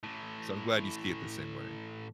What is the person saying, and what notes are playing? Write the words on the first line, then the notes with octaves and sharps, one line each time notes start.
so, I'm glad you see it the same way.
A2 E3